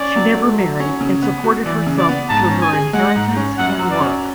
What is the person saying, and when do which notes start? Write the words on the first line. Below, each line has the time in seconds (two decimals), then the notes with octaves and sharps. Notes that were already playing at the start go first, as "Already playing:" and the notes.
She never married and supported herself through her inheritance and work.
Already playing: C#4 D5
0.15 F#3
0.37 A3
0.59 F#3
0.80 C#4
1.01 C#3
1.22 B3
1.44 F#4
1.65 E3 D5
1.87 C#3
1.98 D5
2.08 B3
2.29 G#2 A5
2.51 C#4
2.62 G#5
2.73 G#4
2.93 G#3 F#5
3.16 G#2
3.37 C#4
3.58 F#2 F#5
3.79 F#3
3.90 D5
4.01 C#4